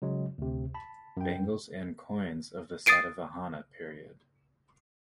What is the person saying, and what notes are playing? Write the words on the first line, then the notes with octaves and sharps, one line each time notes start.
Bangles and coins of the Satavahana period.
C#3 F#3 G#3
D2 C3
A5 B5
F#2 G5
D#6 A6 C7 D7 D#7